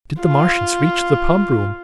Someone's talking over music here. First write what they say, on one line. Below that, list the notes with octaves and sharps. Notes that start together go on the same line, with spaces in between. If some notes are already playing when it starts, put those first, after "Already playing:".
Did the Martian reach the pump room?
F4